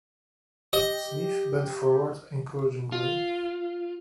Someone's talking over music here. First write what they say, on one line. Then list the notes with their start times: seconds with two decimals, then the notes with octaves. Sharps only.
Smith bent forward encouragingly.
0.73 G4 D#5
2.92 F4